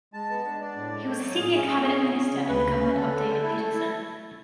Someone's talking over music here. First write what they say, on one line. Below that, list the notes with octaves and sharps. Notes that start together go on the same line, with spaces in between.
He was a senior cabinet minister in the government of David Peterson.
G#3 A5
B3
D4
D4 D5
A2
G#3
A3 C#5
F#3
A2 G#4
C#4 G#4
A3
C#4
C#3
C#4
C#3
D2 B4
C#3
C#4
D3 A4
D3
D3
E4
A3
E4